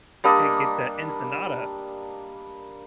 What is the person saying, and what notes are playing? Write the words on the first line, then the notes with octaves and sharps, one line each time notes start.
to get to Ensenada
G3 A#3 D4 D#5